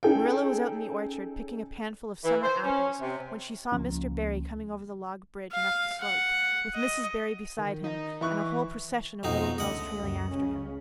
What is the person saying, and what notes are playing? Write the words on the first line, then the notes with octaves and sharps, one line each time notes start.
Marilla was out in the orchard picking a panful of summer apples when she saw Mr. Barry coming over the log bridge and up the slope, with Mrs. Barry beside him and a whole procession of little girls trailing after him.
C#4 D#4 G#4 A4 G5
E3
C5
C#4
C3
C#2 F3 A#3 C#4
F5
F#5
D#5
D#3
D#4
E3 E4 C#6 F#6
F2 B2 D#4
C#2 D3 A3 D#5 F#5
C#2 F#2 A#2
C#2 C#3 C#4